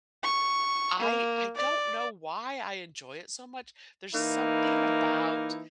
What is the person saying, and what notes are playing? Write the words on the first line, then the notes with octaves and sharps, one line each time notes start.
I I don't know why I enjoy it so much, there's something about
C#6
A#3
D5
E3 A#3 D#4 E4